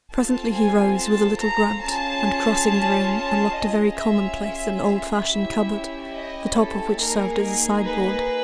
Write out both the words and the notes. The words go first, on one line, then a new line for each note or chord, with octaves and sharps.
Presently he rose with a little grunt, and, crossing the room, unlocked a very commonplace and old-fashioned cupboard, the top of which served as a sideboard.
C4 F4 A4 A5
G#5
A5
A#5
C#4 F4 G#4 A5
A5
A5
C#4 F4 G#4 D#5
E5
E5
E5
C#4 E4 G4
D#5
A4
A#3 D#4 G#4 A#4
B4